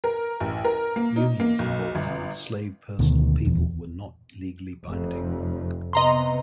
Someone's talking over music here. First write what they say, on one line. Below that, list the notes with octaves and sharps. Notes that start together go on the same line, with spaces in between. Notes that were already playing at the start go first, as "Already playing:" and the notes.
Unions involving an enslaved person or people were not legally binding.
A#4
A1
A#4
A#3
D#4
A#3
B1
G1
D2 B2 D#3
D#1 E2
F1 F2
C3 B3 D#5 A#5 C6